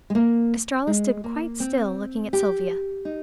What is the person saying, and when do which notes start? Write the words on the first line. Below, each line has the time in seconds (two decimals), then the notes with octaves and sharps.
Estralla stood quite still looking at Sylvia.
0.10 G#3
0.15 A#3
0.87 G#3
1.24 A#3
1.60 C4
2.33 G4
3.05 D#4